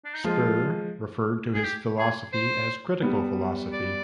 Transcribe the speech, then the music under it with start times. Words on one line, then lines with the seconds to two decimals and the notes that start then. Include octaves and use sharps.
Spir referred to his philosophy as "critical philosophy".
0.05 D4
0.15 D#4
0.24 F3 G#3 F4
1.54 G#4
1.63 G4
1.98 G#4
2.33 C5
3.02 G3 B3
3.72 D5